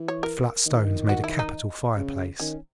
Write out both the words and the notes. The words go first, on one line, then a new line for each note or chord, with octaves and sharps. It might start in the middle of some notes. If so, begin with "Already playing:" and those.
The flat stones made a capital fireplace.
Already playing: E3
C#5
A#4
D#3
F#4
E4
D#4
C#3
D#3 C#4